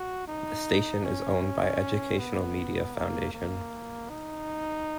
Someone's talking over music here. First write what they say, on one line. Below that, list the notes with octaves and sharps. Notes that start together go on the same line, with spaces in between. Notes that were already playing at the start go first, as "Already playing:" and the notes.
The station is owned by Educational Media Foundation.
Already playing: F#4
D#4
C#4
B3
A#3
A#3
D#4